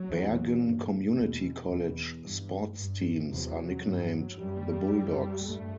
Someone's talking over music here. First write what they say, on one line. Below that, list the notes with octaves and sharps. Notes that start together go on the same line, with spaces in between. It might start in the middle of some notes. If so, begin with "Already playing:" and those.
Bergen Community College sports teams are nicknamed the Bulldogs.
Already playing: F#3
E2 C3
G2
E2 B2
E2 B2
G2
G2
E2 C3 F#3
G2
F#2 G3
F#2
G2 A3